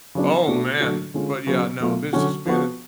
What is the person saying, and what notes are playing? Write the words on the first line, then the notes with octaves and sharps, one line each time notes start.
Oh, man. But yeah, no this has been
C#3 F#3 B3 D4
B2 A3 D4 F#4
D3 F#3 A3 D4 F#4
D3 G#3 C#4 F4
C#3 F#3 B3
B2 F#3 A3 F4
D3 F#3 C#4 F#4
F3 B3 F#4